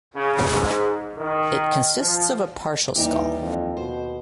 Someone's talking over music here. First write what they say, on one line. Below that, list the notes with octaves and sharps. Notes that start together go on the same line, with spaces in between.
It consists of a partial skull.
C#3
G#2
D#3
F3
D#2 E3 G3 D#4 G4
F2
B2 C5